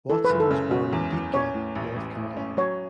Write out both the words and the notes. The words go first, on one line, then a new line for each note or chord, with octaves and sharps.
Watson was born in Deep Gap, North Carolina.
E3 A4
B4
F#1
A4
C#3
C#3 F#4
E2
E2
C#4 C#5
A2
A1
A1
A2
C#4
F#3 C#5